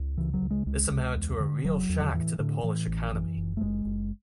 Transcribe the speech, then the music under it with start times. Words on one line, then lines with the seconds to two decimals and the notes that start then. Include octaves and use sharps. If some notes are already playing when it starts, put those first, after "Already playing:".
This amounted to a real shock to the Polish economy.
Already playing: C#2
0.17 C#3 E3
0.34 F#3
0.42 C#2
0.51 G#3
0.66 C#2 G#3
0.91 C#2
1.16 E2
1.40 D3
1.64 E1 F#3
1.89 E2
2.01 D3
2.14 A2 E3
2.39 A2 D3
2.63 A2 E3
2.87 A1
3.12 F#2 E3
3.37 F#1
3.57 A3
3.61 F#1 G#3
3.85 F#1